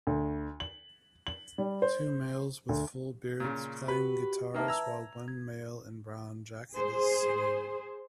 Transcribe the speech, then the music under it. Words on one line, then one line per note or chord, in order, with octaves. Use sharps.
Two males with full beards playing guitars while one male in brown jacket is singing.
D2
F#7
F#7
G3
C5
D2
A#2 C#3
F#4 G4 B4
D#3 A#3 B4 E5 A5
A#5 E6 G#6
G#6
G#4 C5